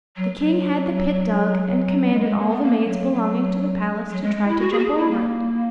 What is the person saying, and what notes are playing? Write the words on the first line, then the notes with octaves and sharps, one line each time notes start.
The King had the pit dug, and commanded all the maids belonging to the palace to try to jump over it.
F#3
F#3
G#3
G#3
A#3
B3
A#3
F#3
F#3
F#3
G#3
G#3
E4
F#4
G#4
F#4
G#4
E4
A#3